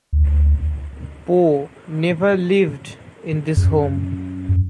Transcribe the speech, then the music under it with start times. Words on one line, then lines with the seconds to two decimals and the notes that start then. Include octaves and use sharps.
Poe never lived in this home.
0.13 D2
3.57 F#2